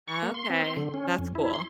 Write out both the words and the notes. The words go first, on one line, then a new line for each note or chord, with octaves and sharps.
Okay. That's cool.
C#6
A#3
C6
C4
C6
D3
C#4
F2
E4
C6